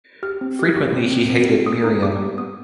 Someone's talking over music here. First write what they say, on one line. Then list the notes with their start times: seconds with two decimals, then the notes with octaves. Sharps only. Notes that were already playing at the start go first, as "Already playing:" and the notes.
Frequently he hated Miriam.
0.23 G4 F6
0.41 C4
0.59 G4
0.77 G4
0.95 C4
1.12 C4
1.30 C4
1.49 C4
1.66 B3 D#6
1.84 D#4 D#6
2.03 B3 D6
2.21 G4
2.38 B3 D#6